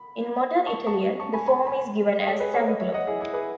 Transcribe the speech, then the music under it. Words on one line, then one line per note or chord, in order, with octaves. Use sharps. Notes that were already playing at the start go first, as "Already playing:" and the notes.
In modern Italian, the form is given as Zanclo.
Already playing: B5
A5 C#6
A5 C#6
A5 C#6
G#5 B5
G#5 B5
G#5 B5
D#5
A4 C#5
G#4 B4
A4 C#5
B4 D#5
C#5 E5
D#5 F#5
E4 G#4
E4 G#4
G#4 B4